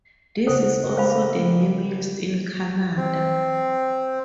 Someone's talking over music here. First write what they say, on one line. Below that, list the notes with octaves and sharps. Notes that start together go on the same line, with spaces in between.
This is also the name used in Canada.
C#3 G#3 A4 C5 F#5 D#6
G4 A#4 D#5
G#4 C5 F5 B5
C4